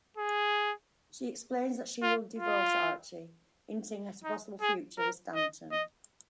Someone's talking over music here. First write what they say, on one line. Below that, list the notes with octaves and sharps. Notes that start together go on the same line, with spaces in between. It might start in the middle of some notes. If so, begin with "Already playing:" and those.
She explains that she will divorce Archie, hinting at a possible future with Stanton.
G#4
F4
F4
D#4
G#4
A#4
D#5
D#5